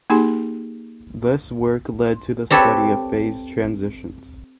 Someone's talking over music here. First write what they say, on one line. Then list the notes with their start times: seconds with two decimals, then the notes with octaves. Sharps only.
This work lead to the study of phase transitions.
0.10 A#3 D#4 G4 G#4 G#5 C6
2.51 C4 G4 A4 B4 C#5